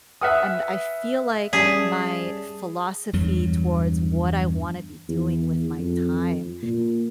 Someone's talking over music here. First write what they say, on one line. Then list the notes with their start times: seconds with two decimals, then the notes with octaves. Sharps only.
and I feel like my philosophy towards what I wanna be doing with my time
0.21 B4 E5 F#5 G#5 D#6 F6 F#6
1.53 G3 C#4 G#4 D5 A5 B6
3.13 E2 G2 F#3
5.09 E2
5.78 F2
6.63 A#2